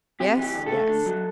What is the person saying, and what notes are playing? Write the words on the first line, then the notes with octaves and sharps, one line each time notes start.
"Yes, yes."
C3 G4
E3
G4
D2
A4
A3
D3
F#3